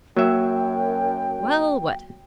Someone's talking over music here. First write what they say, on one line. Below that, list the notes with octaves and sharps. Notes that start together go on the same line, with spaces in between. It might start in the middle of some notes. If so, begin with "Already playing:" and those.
"Well, what?"
F#2 F#3 A#3 E5 G5